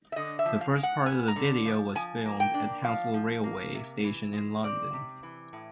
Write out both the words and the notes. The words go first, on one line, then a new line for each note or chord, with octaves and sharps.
The first part of the video was filmed at Hounslow railway station in London.
E5
D3 D#5
E5
F3
F5
G#3
F#5
B3 G#5
A#5
D3
F3
F3 G#5
A#3
G5
D4
F3 F5
F3
A#3
C3
E3
G#3
C4 D5
C3
E3
A2